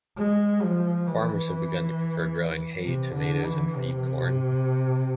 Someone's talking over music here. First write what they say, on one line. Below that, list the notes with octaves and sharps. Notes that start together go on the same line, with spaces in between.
Farmers have begun to prefer growing hay, tomatoes, and feed-corn.
G#3
F3
E3
C3
D3
E3
C3